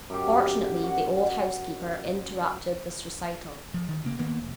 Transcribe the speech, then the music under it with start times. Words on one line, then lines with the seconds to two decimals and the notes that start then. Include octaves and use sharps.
Fortunately, the old housekeeper interrupted this recital.
0.10 F#2 G4
0.83 F#4 F#5
3.74 F3
3.89 D#3
4.05 C#3 A#3
4.19 D#3 A#3 B3
4.42 F1